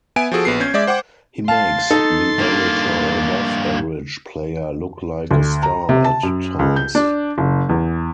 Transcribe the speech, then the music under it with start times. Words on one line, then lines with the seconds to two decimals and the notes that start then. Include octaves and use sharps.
He makes the average or above average player look like a star at times.
0.16 B3 E5 G#5 D7
0.31 F3 F#4 G#4 A4
0.45 A#1 B3 C7
0.60 C#4 G6 G#6
0.74 G#3 D5 E5 D6
0.87 C5 F#5 G5 D6
1.48 F5 A5 C6 A6
1.90 D#4 A4
2.38 G2 A#3
5.31 D2
5.63 A#5
5.89 C3
6.04 A5
6.23 F#2
6.59 C#2
6.76 G6
6.95 D4
7.38 F#1
7.69 E2